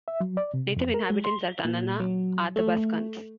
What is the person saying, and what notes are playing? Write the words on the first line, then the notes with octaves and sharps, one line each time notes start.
Native inhabitants are Tanana Athabaskans.
E5
F#3
D5
C3
F2
A#4
G#3
C6
A#2
F#3
A3